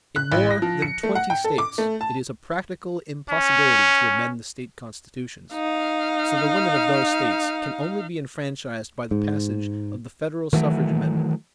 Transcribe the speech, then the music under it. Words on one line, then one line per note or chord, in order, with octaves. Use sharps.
In more than twenty states it is a practical impossibility to amend the state constitutions; so the women of those States can only be enfranchised by the passage of the federal suffrage amendment.
F#6
A1
A#6
F3
C#7
A3
F#5
G5
A4
D6
A3
A5
C#4
D#4 F5
G#2
D#3 E3 F#3 A3